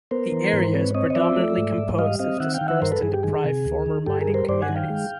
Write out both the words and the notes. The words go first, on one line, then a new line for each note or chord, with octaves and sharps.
The area is predominantly composed of dispersed and deprived former mining communities.
B3 A#4 C5
E3
G#2
C5
C4 B4 C#5
C4 C#5 D#5
D#5
F3 D5 E5
A3
G#2
G#2
G3 D#5 F5
C4 D#5 F5
D#3 E5 F#5
F5 G5
D#3
E5 F#5
G2 A#4 C5
A4 B4
G2 G#4
G4
D#3 G#4
C3
D2
D#3
G2 G4 A4
G#4 A#4
G3
A#4 C5
G2 C5 D5
F#5 G#5
D#3
F5 G5
G#3